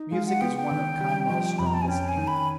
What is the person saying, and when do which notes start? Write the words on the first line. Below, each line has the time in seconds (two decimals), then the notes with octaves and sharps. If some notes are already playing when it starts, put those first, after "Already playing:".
Music is one of Conwell's strongest aids.
Already playing: D#4
0.12 G#3 F5
0.26 F#5
0.41 B3 G5
0.57 G5
0.71 D#3
1.01 G3
1.30 F3
1.59 F2 B5
1.66 A#5
1.74 A5
1.82 G#5
1.88 C#4 G5
2.09 G#5
2.17 D#3
2.27 B5